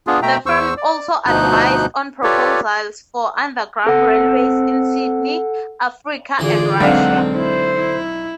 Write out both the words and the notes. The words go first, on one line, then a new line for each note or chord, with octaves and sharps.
The firm also advised on proposals for underground railways in Sydney, Africa and Russia.
B3 D4 F4 G#4
B2 A3 E5 G5 A#5
E2 C5 C#6 E6
D5
D2 B2 F3 D#4 F#6 G6
F4 G4 A4 B4 C#5 D5
C4 A4 F#5
D2 E3 F4 G#4 D5 C6
B1 D3 G#3 C4 D4 F5 F#5
E4 C5
E4